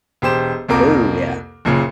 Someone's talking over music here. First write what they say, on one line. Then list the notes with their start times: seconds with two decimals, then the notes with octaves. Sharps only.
Ooh, yeah.
0.22 E1 G4 C5 E7
0.68 C2 F2 A#3 A#4 D6
1.65 F#1 A#2 C#3